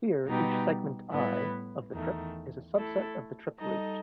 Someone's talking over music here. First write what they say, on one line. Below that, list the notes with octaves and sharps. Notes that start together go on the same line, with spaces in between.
Here each segment i, of the trip is a subset of the trip route.
B2 G3 D#4 G4 B4
A2 G3 B3 E4 B4
E2 D#3 A3
A3 E4 A4
G3 D#4 A4 D#5